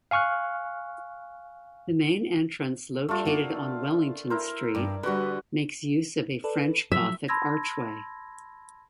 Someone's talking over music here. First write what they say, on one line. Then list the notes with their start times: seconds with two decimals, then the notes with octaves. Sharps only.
The main entrance located on Wellington Street makes use of a French Gothic archway.
0.11 F5 G#5 C#6 F6 F#6
3.09 G3 A3 D4 F4
3.25 A#3 D4 F#4
4.30 E4 A#4 C5
4.75 G2 D5
5.03 D3 G3 F#4 B4
6.44 A4 B4 D5
6.92 F3 F#3 E5
7.28 A5 B5 C6 E6 G#6 A#6